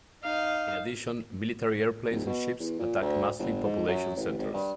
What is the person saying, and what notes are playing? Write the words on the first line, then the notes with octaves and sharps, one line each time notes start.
In addition, military airplanes and ships attacked Muslim population centers.
D#4 F5
D1
B2
E2
A#2
D2
G1
G#2
F#2
A1
G#1
G2